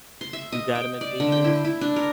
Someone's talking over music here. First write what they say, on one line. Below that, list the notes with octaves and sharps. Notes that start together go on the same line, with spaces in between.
do guided meditations.
C6
E5
D#5
G5
D5
D3
G5
E4
E4
D4
A#4